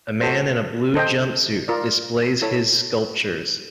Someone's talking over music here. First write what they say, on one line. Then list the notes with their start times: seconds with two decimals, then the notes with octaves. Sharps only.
A man in a blue jumpsuit displays his sculptures.
0.21 F#4 A4 C5
0.95 A4 C5 D#5 G5
1.68 F4 A#4 D5
2.42 E4 A4 C#5